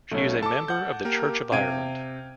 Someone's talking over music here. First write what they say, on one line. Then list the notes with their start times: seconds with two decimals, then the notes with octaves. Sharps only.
She is a member of the Church of Ireland.
0.11 B1 A3 C#4
0.42 A4 A5 D6
0.68 F#5 G6
1.05 A#3 G4 A#4
1.52 C3 F5 G5 G#6 D7 D#7